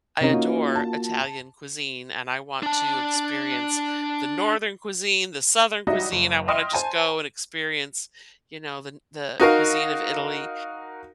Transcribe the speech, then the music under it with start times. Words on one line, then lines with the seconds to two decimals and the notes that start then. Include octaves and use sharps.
I adore Italian cuisine, and I want to experience the northern cuisine, the southern cuisine, I wanna just go and experience, you know, the n the cuisine of Italy.
0.21 C3 C4 C#4 D#4 G4
0.34 A#3 F4 F#4
0.75 A5
2.63 D4 A5
5.87 F#3 G3 D#4 F#4 D#5 E5
6.12 F#1
6.48 D#5 E5 G5 C6 D#6 F6
6.73 C5 G#5 A5
9.40 D#4 F#4 A#4 F5